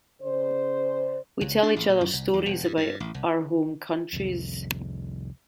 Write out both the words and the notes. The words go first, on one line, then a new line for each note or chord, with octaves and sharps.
We tell each other stories about our home countries.
C#3 C5 D5
C#2
D4
A1
A#2
F#2
C2
E2
E1
G2
G2
A1
C2
C2 F2